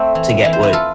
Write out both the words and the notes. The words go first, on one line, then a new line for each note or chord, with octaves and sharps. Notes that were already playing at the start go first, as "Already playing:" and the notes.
to get what
Already playing: A3 C4
E3
E3
C5
B4
F4 A4